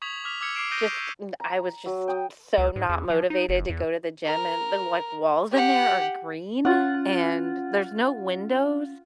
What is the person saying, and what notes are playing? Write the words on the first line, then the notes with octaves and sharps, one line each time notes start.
just da I was just so not motivated to go to the gym, and the, like, walls in there are green, and there's no windows.
C#6 D#6 G#6 B6 F7 F#7
D6 D#6 F6 B6 F7
D6 E6 F6 G#6 C#7
D6 F6 C7 D7 E7
D#6 G6 A#6 D7 D#7 G7
E6 D#7
A#5
F#3
G5 D#6
C#2
G#2
E2
F3
D#4
F#1
E2
A#4
G4 F#5
C#4 F4 F#5